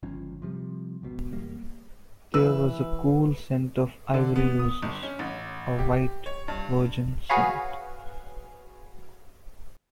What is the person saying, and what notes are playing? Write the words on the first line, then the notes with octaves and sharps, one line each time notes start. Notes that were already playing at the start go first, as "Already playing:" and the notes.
There was a cool scent of ivory roses — a white, virgin scent.
G1 C#2 F3 C#4
C3 F3 G3
G#1 C#2 B2
E1 E2 G3 A#3
E3 B4 E6
D3
B3
D#6
G1
C#4
A1
G4
C#5
G2
F#4 G#4 B4 C#5 F5